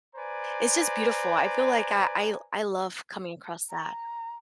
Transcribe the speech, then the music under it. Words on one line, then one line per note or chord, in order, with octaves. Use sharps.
it's just beautiful. I feel like I I I love coming across that.
B4 C5 D5 G#5 A#5
A#5